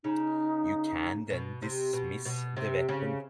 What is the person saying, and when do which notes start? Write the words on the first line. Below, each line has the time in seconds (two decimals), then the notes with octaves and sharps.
You can then dismiss the weapon.
0.04 C#3 D#4
1.30 B2
1.62 C3
1.93 B2
2.25 B2
2.56 C3
2.89 C#3